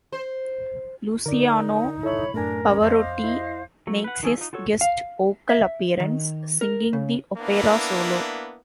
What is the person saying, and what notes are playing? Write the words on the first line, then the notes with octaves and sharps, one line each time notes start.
Luciano Pavarotti makes a guest vocal appearance, singing the opera solo.
C5
D3 D#4 A#4 D5
G2 E4 A4 C#5 E5 B5
F#2 A2 A3 D4 A#4 G#5
C#4
F2 C5 D#5 F5 D6
E4 D#5
F#3 A3
B4 F#5
D#3 F#3 G#4 A4 E6
D#4 F4
F4 F#4 A4 C#5
F5
E5
D#3
A#4
C#3
A#3 B3 D4 E4